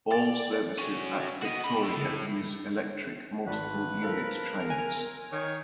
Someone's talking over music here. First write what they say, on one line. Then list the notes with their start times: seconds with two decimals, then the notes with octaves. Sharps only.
All services at Victoria use electric multiple unit trains.
0.12 D5
0.78 C#4 F#4
1.42 F#4 D#5
1.64 G5 B5
1.83 E4 A4
3.47 G#1 B4 A5
4.03 F4 A4 A#4 C5
4.70 G#5
5.32 D#3 C#5